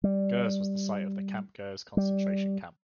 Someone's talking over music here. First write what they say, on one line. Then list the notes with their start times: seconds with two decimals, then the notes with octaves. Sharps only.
Gurs was the site of the Camp Gurs concentration camp.
0.04 G3
1.97 G3